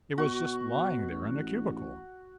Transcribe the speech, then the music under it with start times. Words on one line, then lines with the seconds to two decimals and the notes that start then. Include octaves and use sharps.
It was just lying there in a cubicle.
0.18 B2 F#4 C#6
1.11 A1